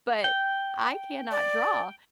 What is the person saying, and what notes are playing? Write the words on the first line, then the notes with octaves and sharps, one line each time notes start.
But, I cannot draw,
G5
D5